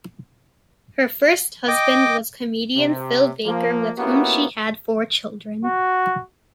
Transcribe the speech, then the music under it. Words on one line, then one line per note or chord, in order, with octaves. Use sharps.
Her first husband was comedian Phil Baker with whom she had four children.
D#5 G5 D6
C3
F3 A#3
A#3 B3 C#4 E4 F#4 G4
F#4